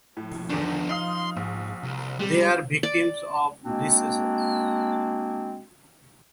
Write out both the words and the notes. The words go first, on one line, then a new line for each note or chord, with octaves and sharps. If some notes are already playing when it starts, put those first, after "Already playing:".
They are victims of disease.
A2 F3
E2 D3 D#3 B3 D4
D#4 F5 C6 D#6
A#1 G#2
C2
C3 G3 G#3
D5
G#3 A#3 C4 D4 F#4